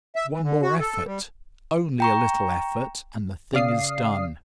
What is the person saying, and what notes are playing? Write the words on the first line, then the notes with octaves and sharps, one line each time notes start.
One more effort, only a little effort, and the thing is done.
E5
E3
D3
F#4
A4
G3
G5 A#5 C#6
C#3 D5 F5 D#6 C7